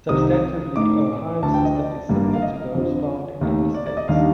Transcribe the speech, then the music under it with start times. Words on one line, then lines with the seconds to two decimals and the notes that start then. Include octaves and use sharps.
Substantively, Ohio's system is similar to those found in other states.
0.09 C2 C3 D#3 D#6
0.76 A2 A3 D#4 D6
1.42 D2 D3 A3 D4 A5
1.54 G5
1.65 D#5
1.75 D5
2.09 G1 G2 D3 G3 A#3
2.33 F5
2.42 D#5
2.75 F2 D3 F3
3.41 D#2 D#3 A3
3.74 D5
3.86 D5
3.97 D#5
4.08 D#2 D#3 G3 D4 F5